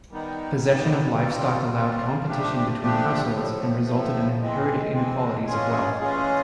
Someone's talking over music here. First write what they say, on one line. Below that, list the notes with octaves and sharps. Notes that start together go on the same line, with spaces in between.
Possession of livestock allowed competition between households and resulted in inherited inequalities of wealth.
D#3 G3 B3 D#4
D#3 G3 B3 D#4
B2 G3 C4 F4
B2 G3 C4 F4
A#2 F3 A3 D4 G4
A#2 F3 A3 D4 G4
A2 F3 A3
A2 F3 A3
E3 G#3 C4
E3 G#3 C4
E3 G#3 C#4 F4 G#4
E3 G#3 C#4 F4 G#4